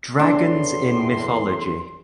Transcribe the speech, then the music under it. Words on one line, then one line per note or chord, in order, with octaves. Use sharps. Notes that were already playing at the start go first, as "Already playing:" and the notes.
Dragons in mythology.
E2 A2 D4 C6